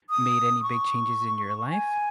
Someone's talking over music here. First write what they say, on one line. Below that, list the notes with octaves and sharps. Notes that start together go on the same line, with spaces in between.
made any big changes in your life
D#6
C#6
G#5